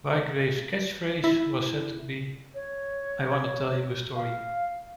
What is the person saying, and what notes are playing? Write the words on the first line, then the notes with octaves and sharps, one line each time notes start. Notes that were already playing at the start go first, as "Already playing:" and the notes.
Bygraves' catchphrase was said to be: "I wanna tell you a story".
E4
C#5
F5